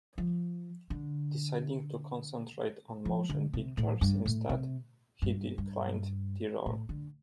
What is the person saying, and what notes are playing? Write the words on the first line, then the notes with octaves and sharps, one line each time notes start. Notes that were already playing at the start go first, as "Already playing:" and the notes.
Deciding to concentrate on motion pictures instead, he declined the role.
F3
D3
F3
D3
C3
A2
G2
A2
C3
G2
G2
A2
D3